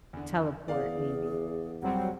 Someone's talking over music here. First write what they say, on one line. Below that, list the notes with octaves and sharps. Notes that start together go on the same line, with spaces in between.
teleport, maybe.
E2 D3
E2 G#4 D5 F5 F#5
E1 F#3 G3 C4 F#5